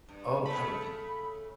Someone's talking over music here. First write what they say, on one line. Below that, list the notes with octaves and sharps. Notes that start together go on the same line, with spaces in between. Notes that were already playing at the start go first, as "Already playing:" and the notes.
Oh, that would be
G2
C#3 A3 B5